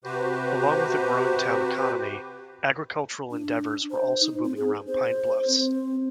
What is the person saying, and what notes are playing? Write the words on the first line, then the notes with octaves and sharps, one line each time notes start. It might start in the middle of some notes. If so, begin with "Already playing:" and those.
Along with a growing town economy, agricultural endeavors were also booming around Pine Bluffs.
C3 F#4 G4 B4 C5
D4
C5
D#4
C4
G#4
C5
C4